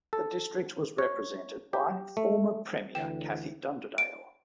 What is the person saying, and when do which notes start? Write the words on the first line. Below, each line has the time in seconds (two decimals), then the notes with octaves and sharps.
The district was represented by former premier Kathy Dunderdale.
0.13 A4
0.98 C#5
1.73 G4
2.17 A3
2.95 D2 D3 E3 G5
3.98 D7